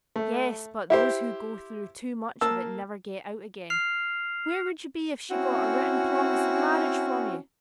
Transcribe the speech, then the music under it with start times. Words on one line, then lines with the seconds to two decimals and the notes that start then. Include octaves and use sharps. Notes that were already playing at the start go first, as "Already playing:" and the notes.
"Yes; but those who go through too much of it never get out again. Where would you be if she got a written promise of marriage from you?"
0.16 A3
0.90 E4 G4 C5
2.41 A#3 A5 E6
3.70 F6 C7 F7
5.30 C4 C#4 E4 F#4